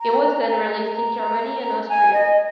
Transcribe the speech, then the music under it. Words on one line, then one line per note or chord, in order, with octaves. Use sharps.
It was then released in Germany and Austria.
A#5
A#5
G#5
A#5
A#5
A#5
G#5
D#5